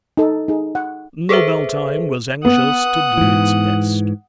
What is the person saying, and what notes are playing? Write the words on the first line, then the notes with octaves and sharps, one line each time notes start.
Knobaltheim was anxious to do its best.
D#4 A4
D#4 G#4
F#5
G#4 A4 B4 C5 E5
B3 F#5 D#6
G#2 E3